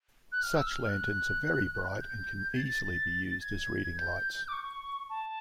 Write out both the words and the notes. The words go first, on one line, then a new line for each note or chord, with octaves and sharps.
Such lanterns are very bright, and can easily be used as reading lights.
F#6
F6
E6
F6
F6
F#6
G6
G#6
A6
A6
G#6
G6
D6
C#6
A5